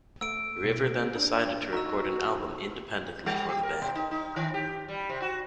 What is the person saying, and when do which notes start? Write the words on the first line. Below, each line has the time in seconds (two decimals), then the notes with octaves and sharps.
River then decided to record an album independently for the band.
0.21 A3 E6 D7
0.64 B2
1.16 D4
1.73 D#4 F#4 A#5 E6
3.26 G3
3.49 G4
3.63 A#4
3.82 B2
3.95 D#4
4.11 D#4
4.36 D#3
4.54 G4
4.88 G3
5.09 C3
5.22 F#4